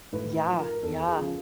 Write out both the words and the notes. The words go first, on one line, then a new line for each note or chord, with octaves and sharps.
Yeah, yeah.
A2 B4
B4
F3
A#4
E2 A4
G#4
C#3 F3